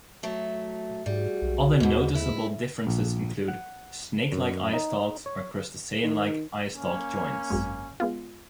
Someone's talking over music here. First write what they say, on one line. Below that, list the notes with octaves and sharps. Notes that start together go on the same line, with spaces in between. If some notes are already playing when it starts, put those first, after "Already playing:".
Other noticeable differences include snakelike eyestalks or crustacean like eyestalk joints.
F#3 A3
G#2 G3 F#4 G#4
B1
D#2 G#2 B2
G#2 G#3 E4
A#1
F#5
F#2
D#4
C#5
D#3
A#3 C#4
G#1 F#2 G#3
G#3 B3 F4